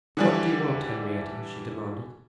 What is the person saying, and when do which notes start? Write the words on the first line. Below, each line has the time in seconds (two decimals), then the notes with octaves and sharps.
"What do you want, Henrietta?" she demanded.
0.17 D3 E3 G3